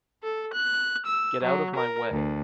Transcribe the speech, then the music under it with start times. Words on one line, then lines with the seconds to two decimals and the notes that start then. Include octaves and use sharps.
Get out of my way.
0.22 A4
0.54 F#6
1.06 E6
1.43 F#3
1.75 A#4
2.11 D2